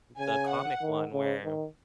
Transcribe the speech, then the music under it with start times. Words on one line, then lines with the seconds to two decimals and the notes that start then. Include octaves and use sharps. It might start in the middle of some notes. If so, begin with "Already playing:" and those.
the comic one where,
0.19 C#3 G#5
0.50 F#5
0.82 D#3
1.13 C#3
1.44 D#3